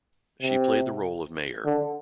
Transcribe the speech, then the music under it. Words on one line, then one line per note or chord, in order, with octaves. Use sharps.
She played the role of mayor.
C3
D3